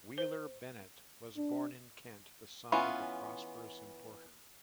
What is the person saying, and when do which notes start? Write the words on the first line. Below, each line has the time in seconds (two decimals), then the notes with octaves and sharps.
Wheeler-Bennett was born in Kent, the son of a prosperous importer.
0.18 C5
1.37 D4
2.72 E3 B3 C#4 F4